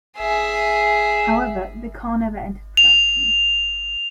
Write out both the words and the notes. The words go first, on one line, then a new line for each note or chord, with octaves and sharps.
However, the car never entered production.
G#4 E5
F7